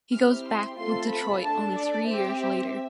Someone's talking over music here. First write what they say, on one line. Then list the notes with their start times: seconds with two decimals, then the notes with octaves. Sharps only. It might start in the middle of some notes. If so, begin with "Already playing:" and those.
He goes back with Detroit only three years later.
0.13 C4 E4 G4 F6
0.46 C6
0.78 A3 C4 F4 A4 C6
1.10 B5
1.43 D4 A4 A5
1.75 D5
2.07 C4 G4 E5
2.40 E5